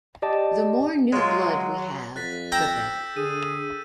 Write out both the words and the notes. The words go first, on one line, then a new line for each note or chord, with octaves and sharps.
The more new blood we have, the better.
G4 D5 D#5 A5
F#3 G#3 F4
F2 F#6 A6 B6
G5 A#5 E6 G6 E7
D3 G#4 D#7